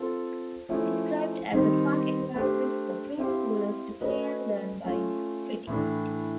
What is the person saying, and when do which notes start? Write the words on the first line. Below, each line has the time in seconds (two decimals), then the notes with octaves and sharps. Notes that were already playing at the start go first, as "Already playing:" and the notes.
Described as a 'fun environment for pre-schoolers to play and learn' by critics.
Already playing: C4 F4 A4 C5
0.69 F3 A3 C#4 E4
1.52 D#3 G3 C4 D#4
2.34 A3 D4 G4 C5
3.17 C4 E4 G4 C5 F5
4.00 A3 C#4 F#4 B4 D#5
4.84 A3 C#4 F4
5.67 A2 E3 A3 D4